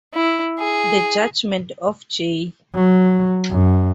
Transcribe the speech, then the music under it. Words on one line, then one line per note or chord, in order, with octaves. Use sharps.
The judgment of J.
E4
G#4
F#3
F#2